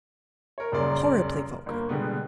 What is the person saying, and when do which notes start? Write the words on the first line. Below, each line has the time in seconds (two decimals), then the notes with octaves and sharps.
Horribly vulgar!
0.58 A#4 C#5
0.72 D#1 F#2 C#3 D5 C6
1.66 G1 A#3
1.89 B2 D3 G3 G#3 B3